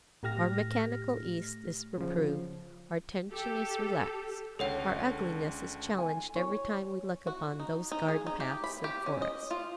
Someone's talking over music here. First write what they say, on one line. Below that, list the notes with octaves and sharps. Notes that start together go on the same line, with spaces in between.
Our mechanical East is reproved, our tension is relaxed, our ugliness is challenged every time we look upon those garden paths and forests.
A2 A3 G4 F6 A#6
C#3 F3
G4 A4
C#2 D3 A4 C#5 F#5
G#5
C#5
F#4
D#4
D#4
G#4
D#4
G4
B5
G4
C#4
D#5
F4